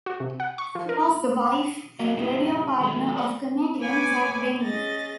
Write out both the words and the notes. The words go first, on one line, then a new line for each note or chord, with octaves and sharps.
She was the wife and radio partner of comedian Jack Benny.
F#4
C3
F#5
C#6
F3
A#4
F#3 A#3 F#4 D#5 F5 F#5
G2 C#3 D#4 E4 G4
D#3 F#3 G#3 A4
C5 D5 F#5
B4 C#5 G#5 B5 D6
C#4 G#4 D#5 A6 A#6